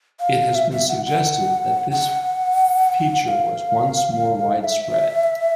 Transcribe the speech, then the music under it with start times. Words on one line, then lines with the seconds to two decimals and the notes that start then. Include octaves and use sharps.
It has been suggested that this feature was once more widespread.
0.20 F5
0.55 E5
0.71 E5
0.88 F#5
1.06 F#5
1.91 F#5
3.28 F5
4.64 E5